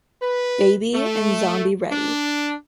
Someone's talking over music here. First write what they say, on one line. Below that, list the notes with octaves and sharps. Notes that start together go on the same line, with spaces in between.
Baby" and "Zombie Reddy.
B4
A3
D4